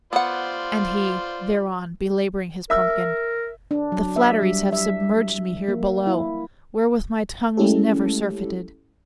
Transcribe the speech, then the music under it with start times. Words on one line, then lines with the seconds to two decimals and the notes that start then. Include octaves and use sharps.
And he thereon, belabouring his pumpkin: "The flatteries have submerged me here below, Wherewith my tongue was never surfeited."
0.13 B3 F4 C5 D5 F#5
2.70 A#4 E5 E6
3.71 D4
3.92 F#3
4.16 E5
4.43 G3
4.73 E5
5.68 A#3
6.07 E4
7.57 G#3 A3 C#4 E4 G4 A4